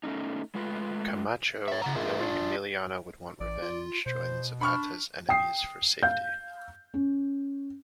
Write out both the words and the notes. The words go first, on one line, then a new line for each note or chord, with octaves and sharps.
Camacho, knowing Emiliano would want revenge, joined Zapata's enemies for safety.
A3 C#4 D#4
G#3 A3 F4 B4
C#5 E5
C#3 F#5 A#5
F4 G#4 A#4 D#5 E5
D4 F4
A1 D5
F4
B2 C5
D4 B5 C#6 F6
G5 D#6 C7
F5 G6
C#4